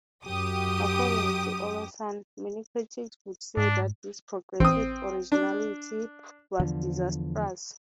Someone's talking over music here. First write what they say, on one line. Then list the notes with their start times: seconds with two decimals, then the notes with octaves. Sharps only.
According to Olleson, many critics would say that this progressive originality was disastrous.
0.25 F#2 G4 D#6
3.57 G#2 D4
4.60 A1 C4 D#6
5.32 D4
6.60 E2 D3 F3